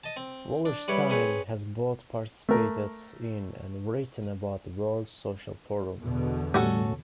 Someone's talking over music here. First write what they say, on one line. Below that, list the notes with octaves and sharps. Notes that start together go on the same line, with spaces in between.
Wallerstein has both participated in and written about the World Social Forum.
D#5 A5
C4
D4
G3 E4 B4 C#5
C4 G#4 B4 C#5
A3 A#4
E2 B2 D3
A2 G3 A3 C#4 F#4 A4